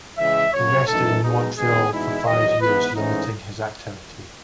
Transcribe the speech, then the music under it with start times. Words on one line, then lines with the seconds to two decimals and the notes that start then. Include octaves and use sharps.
He rested in Montreal for five years, limiting his activity.
0.18 C#3 E3 G#3 E5
0.53 F#2 C#3 F#3 C#5
0.88 F#2 E3 A3 D#4 A4
1.23 B2 G#3 D#4
1.57 D#3 G#3 B3 G#4
1.92 E2 B2 G#3 D#4 E4
2.26 E2 D#3 F#3 D#5
2.60 G#2 E3 B3 B4
2.95 G#2 E3 A3 C#4 D#4